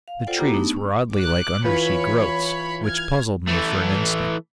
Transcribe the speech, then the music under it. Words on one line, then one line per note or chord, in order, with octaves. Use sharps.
The trees were oddly like undersea growths, which puzzled me for an instant.
F5
F4 A4 C5 D5 F#5 G5
B3 E4 F#4 G4 A#5 D6
A3 B3 D4 D#4
C#4
D6 F#6
E3 F4 B4 C#5 B5
F6 G#6
E3 A3